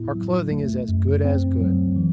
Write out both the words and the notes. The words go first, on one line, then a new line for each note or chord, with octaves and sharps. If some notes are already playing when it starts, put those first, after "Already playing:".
'Our clothing is as good as good.
Already playing: A2 B3 E4
F#3
A3
F#2
C4
F#3
E3